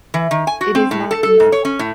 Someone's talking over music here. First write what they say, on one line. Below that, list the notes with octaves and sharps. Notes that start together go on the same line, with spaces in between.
It is not easy.
E3
D#3
G#5
F#4
C4
A2
A4
A4
G#2
C#5
C#4
A2